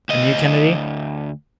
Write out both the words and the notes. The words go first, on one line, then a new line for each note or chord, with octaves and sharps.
"And you, Kennedy?"
D2 D#5